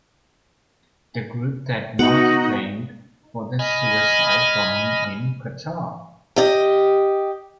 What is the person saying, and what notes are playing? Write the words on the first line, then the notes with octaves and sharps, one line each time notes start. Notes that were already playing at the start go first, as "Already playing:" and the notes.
The group that month claimed for the suicide bombing in Qatar.
B3 D#4 F#4
D#5 G#5 B5 F6
G4 D#5